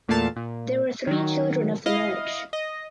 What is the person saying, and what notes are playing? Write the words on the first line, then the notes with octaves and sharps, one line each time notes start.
There were three children of the marriage.
E2 A#2 A3 A#3 F5 A5
A#2
D#3 F#3
E4 D#5 F5
D#5